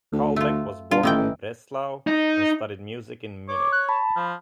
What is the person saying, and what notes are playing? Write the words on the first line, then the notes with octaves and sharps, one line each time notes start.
Kalbeck was born in Breslau and studied music in Munich.
D2
A3 F4
G2 F4
A1 D#3 E3 G5
D#4
C#5 D6
F#6
A5 B5
F3